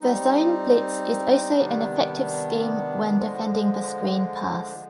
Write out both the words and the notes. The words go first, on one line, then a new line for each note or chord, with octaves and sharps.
The zone blitz is also an effective scheme when defending the screen pass.
G3 C4 D#4
C3 D#3 G3 B3 D4
D3 F3 G#3